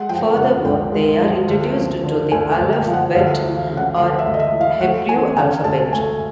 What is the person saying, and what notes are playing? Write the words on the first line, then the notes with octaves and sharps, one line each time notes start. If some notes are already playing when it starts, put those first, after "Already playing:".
Furthermore, they are introduced to the Aleph-Bet or Hebrew alphabet.
Already playing: G#3 F#5
F3 G5
C#3 F#5
C#2 G5
G#3
F3
D2
F3
D3
D2 G#5
G#5
D2
G5
F3
F#5
D2 F5
E3
F5
C#3
F#5
D2 F5
E5
D2
D#5
E5
E3
F5
A3 F#5
E3 G#5
C#3 G#5
D2 A5
A3 G#5